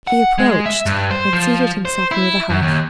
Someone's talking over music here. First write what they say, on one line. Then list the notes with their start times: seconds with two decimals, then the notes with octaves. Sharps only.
He approached and seated himself near the hearth.
0.07 F#5
0.38 G#3
0.66 E5
0.86 G2
1.11 C5
1.33 F3
1.85 C5
2.11 E4
2.50 F#2
2.62 D#2